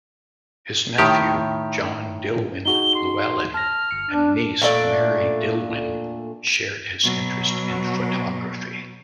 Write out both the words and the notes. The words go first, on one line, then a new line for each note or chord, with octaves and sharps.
His nephew John Dillwyn Llewelyn and niece Mary Dillwyn shared his interest in photography.
A2 D#3 G4
D#4 F#4 G#4 G7
C6
A5 F6 A#6
G1 C#7
D4 F#6
A#2 A3 D4 D5
B2 F#3